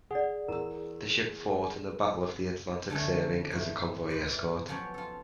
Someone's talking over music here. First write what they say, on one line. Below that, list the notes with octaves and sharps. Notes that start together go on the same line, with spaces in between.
The ship fought in the Battle of the Atlantic serving as a convoy escort.
G#4 D5 F#5
E2 A#4 A#5 E6
D3 A3 C#4 A4
F#2 A2 E4
B4 C5 D5 D#5
D5 E5
F3 F#3 B3 C#4 G4
F4 A4